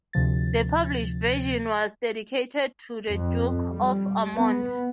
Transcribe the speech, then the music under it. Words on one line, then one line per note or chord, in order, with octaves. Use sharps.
The published version was dedicated to the Duke of Ormonde.
D2 C3 F3 A6
F2
G3
B3